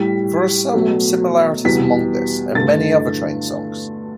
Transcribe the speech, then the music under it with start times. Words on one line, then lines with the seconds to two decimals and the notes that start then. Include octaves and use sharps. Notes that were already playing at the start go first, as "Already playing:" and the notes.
There are some similarities among this, and many other train songs.
Already playing: A2 G3 B6
0.74 B2 F#3 A3
1.65 E2 B2 G3 B6
2.55 G2 D3 A3 A6